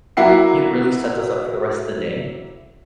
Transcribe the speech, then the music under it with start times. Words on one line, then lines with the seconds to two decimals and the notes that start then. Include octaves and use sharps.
it really sets us up for the rest of the day.
0.17 F#3 A#3 E4 F#5 C7